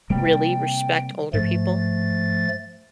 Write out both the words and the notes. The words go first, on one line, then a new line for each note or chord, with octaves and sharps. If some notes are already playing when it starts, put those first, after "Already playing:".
really respect older people
C3 G3 A#3 G5
G#2 F3 A3 A6